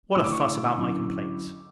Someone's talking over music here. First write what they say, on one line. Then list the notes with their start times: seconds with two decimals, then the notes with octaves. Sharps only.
What a fuss about my complaints!
0.15 D3 A3 E4 E6
0.24 D6
0.32 C#6
0.40 D6
0.78 D3 F#3 C#4 E4